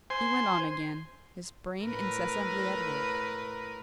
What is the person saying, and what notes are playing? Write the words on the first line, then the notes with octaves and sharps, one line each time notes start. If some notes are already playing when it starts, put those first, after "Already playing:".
He went on again--his brain incessantly at work.
C5 G#5 C6
A2 A#4 B4